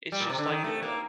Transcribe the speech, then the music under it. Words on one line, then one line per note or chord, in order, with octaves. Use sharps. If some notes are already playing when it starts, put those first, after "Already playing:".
it's just, like, a
G3
A#2
C3
D3
D#3
A3
A#3